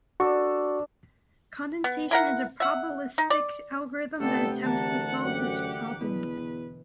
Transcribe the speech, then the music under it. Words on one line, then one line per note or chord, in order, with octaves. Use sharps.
Condensation is a probabilistic algorithm that attempts to solve this problem.
D4 F#4 A4 C#6
B3
E4 A#4 F#5
E5 F#5
D#4
D5
G1 C3 A3 B3 D4 A4 G5
D2 D3 E3 A#4 F#5 A5
F#2 G4 D6
E2 B2 B4